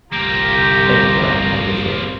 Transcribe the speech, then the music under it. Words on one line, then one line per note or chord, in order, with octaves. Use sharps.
thank you for that. I appreciate it.
G1 C2 A#3 C4 F4 G4 A#5